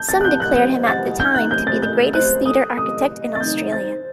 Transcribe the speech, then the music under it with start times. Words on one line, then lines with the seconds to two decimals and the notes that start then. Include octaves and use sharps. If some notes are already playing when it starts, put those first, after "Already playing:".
Some declared him at the time to be the greatest theatre architect in Australia.
Already playing: A5 G6
0.09 A6
0.21 F#6
0.25 F#5 G6
0.40 F#6
0.56 C5 G6
0.87 F#5 A6
1.19 D#4 G6
1.34 F#6
1.50 C5 G6
1.67 A6
1.82 A4 G6
2.14 C5 F#6
2.46 A4 D#6
2.77 D#5 D#6
3.09 D#5
3.35 A6
3.40 D#4 G6
3.72 C5 A6